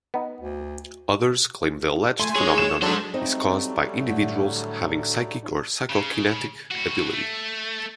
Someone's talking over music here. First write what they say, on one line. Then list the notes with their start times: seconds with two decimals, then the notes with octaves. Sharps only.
Others claim the alleged phenomenon is caused by individuals having psychic or psychokinetic ability.
0.14 B3 D#4
0.41 D2
2.20 A3 G#5 C6
2.35 G#3 G#4 C#5
2.58 E7
2.82 F#3 G#3 D4 A4 C5
3.14 F#3 G3 A3 C4 D#4 D#5
4.09 A2 D3
5.90 C#3
6.71 A2 F#4
7.13 A3